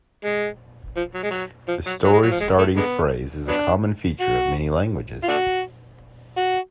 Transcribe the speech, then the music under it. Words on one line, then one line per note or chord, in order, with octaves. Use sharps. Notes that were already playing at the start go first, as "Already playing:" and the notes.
The "story-starting phrase" is a common feature of many languages.
G#3
F3
F#3
G#3
F#3
F3
F#3
F#3
G#3
F#3
F3
G#3
A3
D3 G#3 B3
F#3 B3 D4
F#4
F4
A3 D4 F#4
F#4